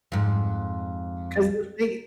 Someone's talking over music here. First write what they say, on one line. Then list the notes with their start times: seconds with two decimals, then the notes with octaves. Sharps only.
'Cause the thing
0.12 F2 G#2